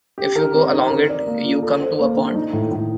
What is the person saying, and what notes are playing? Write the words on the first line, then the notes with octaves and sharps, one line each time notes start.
If you go along it, you come to a pond.
G4
A#4
C4
D#4
A#4
D5
A#3
F4
A4
C5
A#3
D4
D#4
A2
A2